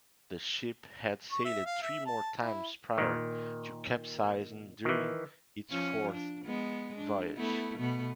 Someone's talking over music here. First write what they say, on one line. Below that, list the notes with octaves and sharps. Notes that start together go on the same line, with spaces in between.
The ship had sailed three more times prior to capsizing during its fourth voyage.
C#6
E5
F5
E5
A5
E4
A#2 D#3
D#3 E3
F3 C#4
D4
G#3 B3
D4
A3 B3 E4
B2 A3 B3